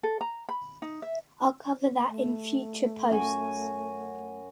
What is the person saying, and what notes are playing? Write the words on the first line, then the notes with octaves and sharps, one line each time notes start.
I'll cover that in future posts!
A4
A#5
B5
D#4
E5
A3
F#2 F#4 G#5